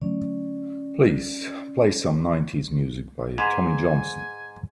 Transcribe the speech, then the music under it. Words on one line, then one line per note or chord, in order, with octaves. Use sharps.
Please play some nineties music by Tommy Johnson.
D3 F#3 A3 C#4 D5
G#2 G#4 B4 C5 G#5